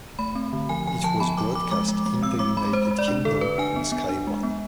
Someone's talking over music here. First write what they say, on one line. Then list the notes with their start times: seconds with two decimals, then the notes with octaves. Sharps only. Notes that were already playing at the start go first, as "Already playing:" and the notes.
It was broadcast in the United Kingdom on Sky One.
0.19 A3 B5
0.35 C4
0.53 D3
0.69 F3 G#5
0.87 F3 G#5
1.04 F3 A5
1.20 B3 B5
1.37 F3 D6
1.55 F3 D6
1.71 G#3 D6
1.88 G#3
2.06 G#3
2.22 C4 E6
2.39 G#3 D6
2.57 G#3 B5
2.73 G#3 C5
2.91 G#3
2.98 D5
3.08 D4
3.25 D3 A4
3.41 D3 B4
3.58 D4 G#5
3.76 B3
3.92 B3
4.09 D4
4.27 G#3
4.43 B3